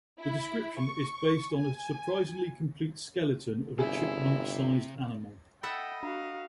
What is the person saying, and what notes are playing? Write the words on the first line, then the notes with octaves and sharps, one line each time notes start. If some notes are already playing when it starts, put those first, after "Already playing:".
The description is based on a surprisingly complete skeleton of a chipmunk-sized animal.
E4
C#6
G#5
G1 C3 E4 G#4
A4 D#5 E5 F#5 G5 B5
D4 F#4 F5